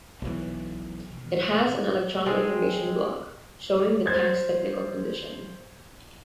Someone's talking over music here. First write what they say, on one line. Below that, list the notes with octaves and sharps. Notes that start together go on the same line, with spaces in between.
It has an electronic information block showing the tank's technical condition.
B1 B2 E3
G#3 C4
C5 G#6 A6